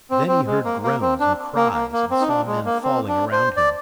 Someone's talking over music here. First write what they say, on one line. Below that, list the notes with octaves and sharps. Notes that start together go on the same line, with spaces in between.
Then he heard groans and cries and saw men falling around him.
C4
C4
G#3
A#3
A#3
C4
D4
A#3
A#3
A#3
C4
D#4
D4
G#3
A#3
C4
D4
C5
D5